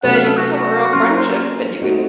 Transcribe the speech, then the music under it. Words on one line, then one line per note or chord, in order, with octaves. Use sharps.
that you could have a real friendship and you can
C3 F#3 A3 C#4 F#5
F5
A4
F#4
F#3 A#3 C#4 F4
A#4
C5
A#4
A3 C4 D#4 F#4